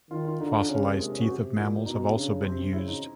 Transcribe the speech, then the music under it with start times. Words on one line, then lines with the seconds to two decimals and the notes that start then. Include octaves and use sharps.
Fossilized teeth of mammals have also been used.
0.11 D#3 F4
0.25 F4
0.40 D3 D#4
0.54 D4
0.69 C#3 C#4
0.84 A#3
0.98 C3 G#3
1.13 C#4
1.21 F#4
1.28 C3 G4
1.56 A#2 E4
1.85 B2 D#4
2.15 C#3 D4
2.44 C3 C4
2.59 C4
2.73 C#3 E4
2.87 D#4